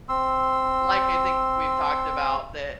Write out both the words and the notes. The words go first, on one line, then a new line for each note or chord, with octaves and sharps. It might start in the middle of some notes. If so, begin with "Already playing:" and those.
l like I think we've talked about that
C4 C6 E6